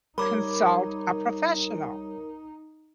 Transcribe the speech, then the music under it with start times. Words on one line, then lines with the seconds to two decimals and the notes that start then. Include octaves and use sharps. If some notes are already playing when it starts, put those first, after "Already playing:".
consult a professional.
0.18 G3 D#4 A#4 C#5 B5 D6 G#6